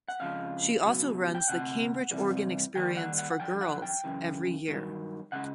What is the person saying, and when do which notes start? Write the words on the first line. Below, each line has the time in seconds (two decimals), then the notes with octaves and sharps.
She also runs the Cambridge Organ Experience for Girls every year.
0.08 F#5
0.20 F2 C#3 F3 G#3 F5
0.84 C#2 B2 F#3
1.35 G5
1.48 D2 C3 F#5
2.11 C2 C3 E3 G3
2.75 D#2 D#3 G3 G5
2.97 F#5
3.18 F#5
3.31 F#5
3.40 F#2 D3 F3 G5
3.61 F#5
3.82 G5
4.04 F#2 C#3 E3
4.68 G2 D#3 F#3
5.32 C#3 G#3 F#5